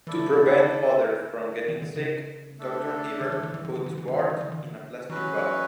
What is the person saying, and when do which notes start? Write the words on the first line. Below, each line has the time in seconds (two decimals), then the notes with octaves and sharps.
To prevent others from getting sick, Doctor Hibbert puts Bart in a plastic bubble.
0.07 E3 E4 A4 D5
0.19 D3
0.33 C#3
0.46 D3
1.68 E3
1.82 D3
1.96 C#3
2.59 A3 D4 A4
3.21 D3
3.32 E3
3.43 D3
3.54 E3
3.65 D3
3.75 E3
3.86 D3
3.98 E3
4.08 D3
4.19 E3
4.30 D3
4.41 E3
4.52 D3
5.10 E3 F#3 C#4 F#4 B4